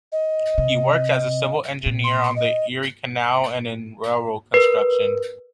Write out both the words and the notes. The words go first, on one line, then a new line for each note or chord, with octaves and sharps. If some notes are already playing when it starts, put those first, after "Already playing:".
He worked as a civil engineer on the Erie Canal and in railroad construction.
D#5
C3
A#2
C6
D#5
A#4 B4